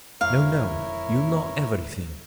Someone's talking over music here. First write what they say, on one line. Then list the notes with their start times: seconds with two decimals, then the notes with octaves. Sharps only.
No, no; you know everything.
0.21 F1 F2 G#3 E4 A#4 C#5 F5